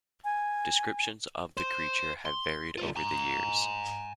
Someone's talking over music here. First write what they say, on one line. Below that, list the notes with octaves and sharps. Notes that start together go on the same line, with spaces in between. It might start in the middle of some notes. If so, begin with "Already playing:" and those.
Descriptions of the creature have varied over the years.
G#5
C5
C6
D3 F4
G#5 A#5